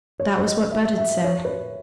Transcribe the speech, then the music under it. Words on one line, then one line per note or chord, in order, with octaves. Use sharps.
That was what Budd said.
C#5
D#5
E5
E5
C#5
B4
C#5